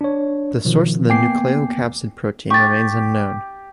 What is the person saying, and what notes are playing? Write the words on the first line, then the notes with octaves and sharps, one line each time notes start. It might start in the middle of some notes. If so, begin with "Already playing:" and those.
The source of the nucleocapsid protein remains unknown.
D4 C#5
B2 D#3 F3
A#3 B3 G5 G#5 D6 C7
G4 C#6 A6